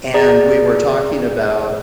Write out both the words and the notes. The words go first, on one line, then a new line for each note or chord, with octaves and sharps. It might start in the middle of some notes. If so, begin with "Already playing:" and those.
and we were talking about
G#4 D5 A#5